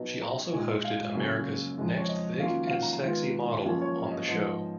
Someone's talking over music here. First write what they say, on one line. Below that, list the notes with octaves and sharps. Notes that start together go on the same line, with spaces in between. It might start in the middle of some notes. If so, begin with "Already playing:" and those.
She also hosted "America's Next Thick and Sexy Model" on the show.
Already playing: B2 F#3 B3 D#4
A#5
A#2 G#3 D#4 G#5
F5
F#2 C#3 F#3 A#3 C#4
F2 F3 G#3
C#5
D#5
D#3 F#3 A#3 C#4 F4 F5
F5
F#5
A#5
A#5
D#3 G#3 B3 F4
F#2 F3 A#3 C#4 F4 G#5
C#5
A#4
D#5
G#2 F3 B3 D#5